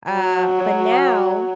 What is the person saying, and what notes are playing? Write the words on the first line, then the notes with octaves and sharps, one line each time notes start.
Uh, but now
F#3